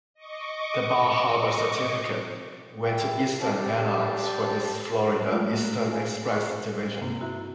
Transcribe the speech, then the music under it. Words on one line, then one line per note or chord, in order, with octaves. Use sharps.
The Bar Harbor certificate went to Eastern Airlines for its Florida Eastern Express division.
D#5 C#6 D6
E4 G5
G3 A5
F#3 G#3 A3 F4
A#3 F#4
G#4 F5 G#5
G#4 C#6
G2 C3 A#3 C4
E4 F#4 E5 A#5